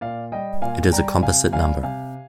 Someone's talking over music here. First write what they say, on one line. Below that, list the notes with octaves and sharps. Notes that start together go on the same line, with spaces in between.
It is a composite number.
A#2 D5 F5
G3 D#5 G5
A#2 F5 G#5
G3 G5 A#5
C3 F5 G#5
G3 F5 G#5
C3 F5 G#5